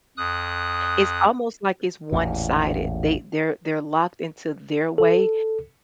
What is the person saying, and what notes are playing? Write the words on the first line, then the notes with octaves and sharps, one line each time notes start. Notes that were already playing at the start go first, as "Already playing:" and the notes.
It's almost like it's one-sided. They they're they're locked into their way
F2 D#6 F#6
A1 E2 A#2
A4